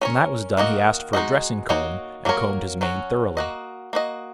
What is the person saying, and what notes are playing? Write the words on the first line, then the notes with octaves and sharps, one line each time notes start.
When that was done he asked for a dressing-comb, and combed his mane thoroughly.
C#4 A#4 C#5
D#3 A#3 F#4 D#5
G#3 D#4 F#4 D#5
A#3 D#4 F#4 C#5
F#3 A#3 C#4 A#4 C#5
F#3 C#4 F#4
A#3 F#4 D#5
A#3 F#4 D#5